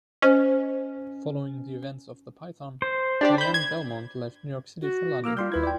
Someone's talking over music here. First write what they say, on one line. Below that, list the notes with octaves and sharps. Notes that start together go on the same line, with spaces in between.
Following the events of "The Python," Dian Belmont left New York City for London.
C#4 C5 D#5
C5
D4 G4 D5
B5 G6
G#6
F#4
A#3 D6 E6 F6
G3 F4 C6 G6
D#2 E4 B4 G#6
D5 G5